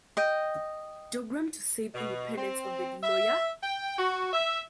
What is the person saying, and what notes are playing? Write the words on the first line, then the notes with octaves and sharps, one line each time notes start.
Dougram to save independence of the Deloyer!
D#5 G5
B2
C4
E5
G5
F#4
E5